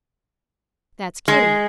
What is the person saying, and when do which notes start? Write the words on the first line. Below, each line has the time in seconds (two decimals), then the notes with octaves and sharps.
"That's Kitty."
1.28 G#3